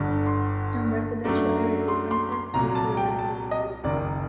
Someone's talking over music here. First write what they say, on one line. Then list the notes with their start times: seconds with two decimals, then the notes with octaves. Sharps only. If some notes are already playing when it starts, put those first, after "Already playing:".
In residential areas, they sometimes take to nesting on roof-tops.
Already playing: G1 G2 D3
0.26 C6
1.24 F#2 F#3 A3 D4
1.88 C6
2.11 C6
2.32 C6
2.54 C2 A#2 F#3 A#5
2.75 A5
2.97 G5
3.19 A5
3.51 D#5
3.84 F#1 F#2 D#3 D5